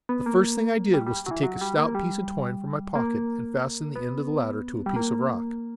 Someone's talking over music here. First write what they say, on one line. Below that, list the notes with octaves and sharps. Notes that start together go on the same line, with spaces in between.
The first thing I did was to take a stout piece of twine from my pocket and fasten the end of the ladder to a piece of rock.
B3
A#3
G3
G3
F#3
E3
F#3
G3
A#3
G3
A#3
B3
G3
A#3